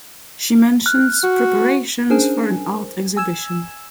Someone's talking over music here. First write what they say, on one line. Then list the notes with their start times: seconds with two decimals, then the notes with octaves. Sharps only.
She mentions preparations for an art exhibition.
0.86 F6 F#6
1.23 F#4
2.10 C#4 D4 G#4 A#4 C5 G#5
3.16 G#5 E6 G#6 E7